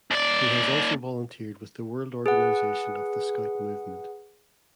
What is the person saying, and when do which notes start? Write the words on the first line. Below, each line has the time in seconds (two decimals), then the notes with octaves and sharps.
He has also volunteered with the World Organization of the Scout Movement.
0.11 D#2 D5
2.26 G#4 B4 F#5